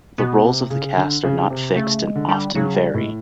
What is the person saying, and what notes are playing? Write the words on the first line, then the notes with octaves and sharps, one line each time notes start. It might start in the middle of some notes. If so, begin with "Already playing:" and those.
The roles of the cast are not fixed and often vary.
B2 B3
C3
C#3
D3
C#3
C3
C#3 A3
G#3
D3
G3
C#3 F#3
G3
A2 G#3